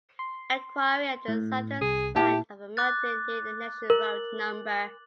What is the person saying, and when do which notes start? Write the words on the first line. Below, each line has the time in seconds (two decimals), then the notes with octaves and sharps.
A quarry at the southern side of the mountain near the National Road no.
0.19 C6
1.28 A2
1.81 C2 G#4
2.16 A#2 E4 G4 A5
2.77 D6 F#6 A6
3.90 A#4 F#7